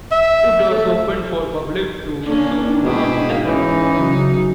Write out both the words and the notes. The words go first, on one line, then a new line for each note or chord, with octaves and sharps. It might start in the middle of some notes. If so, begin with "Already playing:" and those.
It was opened for public tours soon after.
E5
A3
A#3 C#4 D4
G#2 B2 E4 G4 G#4
E3 C#4 D#4
C#3 F#3